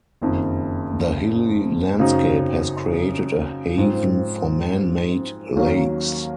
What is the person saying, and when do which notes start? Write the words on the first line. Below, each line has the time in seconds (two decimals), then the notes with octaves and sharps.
The hilly landscape has created a haven for man-made lakes.
0.22 F#1 F2 D#3
1.99 F#2 C#3 F#3 C4 D#4
3.78 G#2 F3 C4
5.55 D#2 D#3 F#3 A#3 C#4